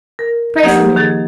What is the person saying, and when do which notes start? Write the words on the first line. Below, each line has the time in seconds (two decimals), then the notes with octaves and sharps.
Pray for me!
0.19 A#4
0.63 F3 A#3 D#4 G4 F#5
0.96 D#3 G#4 A6